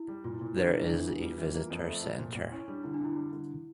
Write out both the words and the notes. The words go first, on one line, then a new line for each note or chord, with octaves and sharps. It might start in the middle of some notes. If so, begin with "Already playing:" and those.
There is a Visitor Center.
Already playing: E4
G3
A#2 F4
E4
A#2
E4
G3 D4
E3 E4
D4
E2 E4
E2 F4
G3 F4
E3
A#3 F4
F4
F2
F4
A3
F3
A#2
A#2
C#4 E4
G3 D4
D3 E4
D4
D3 E4
G3
D3